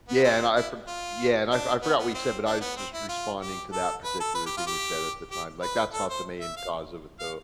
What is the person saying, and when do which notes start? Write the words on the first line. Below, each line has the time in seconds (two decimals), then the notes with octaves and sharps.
Yeah, and I for yeah, and I I forgot what you said, but I was just responding to that particular thing you said at the time. Like that's not the main cause of it though.
0.09 B3
0.24 C4
0.56 E4
0.87 F4
1.51 D4
1.82 B3
1.99 B3
2.14 C4
2.45 D4
2.61 B3
2.77 C4
2.93 E4
3.08 F4
3.41 G4
3.72 A4
4.04 B4
4.20 A4
4.35 B4
4.46 G4
4.57 F4
4.67 G4
5.31 G4
5.62 B4
5.93 A4
6.10 C5
6.40 E5
6.57 F5
7.20 F5